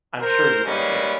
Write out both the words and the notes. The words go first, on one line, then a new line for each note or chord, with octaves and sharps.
I’m sure you like it.
A#4 C5
G3 G#3 A#3 C#4 D#4 B4